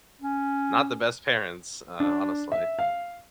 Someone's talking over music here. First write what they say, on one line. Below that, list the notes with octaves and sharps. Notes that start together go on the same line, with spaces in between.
not the best parents, uh, honestly."
C#4
D4
E5
F5